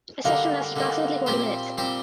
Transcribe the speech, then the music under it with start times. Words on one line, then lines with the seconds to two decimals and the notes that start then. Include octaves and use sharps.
A session lasts approximately forty minutes.
0.25 D3 G3 A#3 D#4 F5
0.76 D3 G3 A#3 D#4
1.26 A#2 G3 C4 G4 C5
1.77 A#2 G3 C4 G4 C5